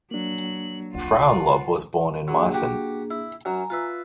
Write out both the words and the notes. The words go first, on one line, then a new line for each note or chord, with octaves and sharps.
Frauenlob was born in Meissen.
F#3 A#3 D4 F#7
D#1 C2 F4 F#5
F#3 A#3 D4 G#4
F#4 G4 G5
E4
F#2 F#3 G#5 A#5
F4 B4 E5